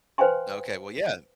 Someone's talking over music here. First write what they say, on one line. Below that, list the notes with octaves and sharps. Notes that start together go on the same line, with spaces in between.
Okay, well, yeah,
B4 C5 F5 G5 G#5 C6